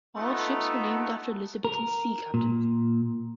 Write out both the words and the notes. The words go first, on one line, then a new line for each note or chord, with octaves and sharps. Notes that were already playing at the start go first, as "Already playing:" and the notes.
All ships were named after Elizabethan sea captains.
A3 B3 D#4 F4 A4
A#4
A#2